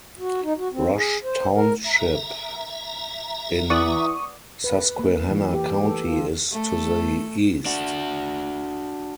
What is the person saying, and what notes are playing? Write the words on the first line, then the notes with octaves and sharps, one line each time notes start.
Rush Township in Susquehanna County is to the east.
F#4
D#4
F#4
C4
G#4
C5
A#4
E5 A#5
E3 B3 D5 F#5 C#6 D#6
B4
A#3
E3
G4
A4
F4
A3 A4
D4 F#4